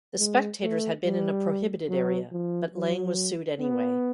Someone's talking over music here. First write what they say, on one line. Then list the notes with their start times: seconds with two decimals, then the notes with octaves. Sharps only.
The spectators had been in a prohibited area but Lang was sued anyway.
0.19 G#3
0.61 A3
1.04 G3
1.89 F#3
2.32 F3
2.74 F#3
3.60 B3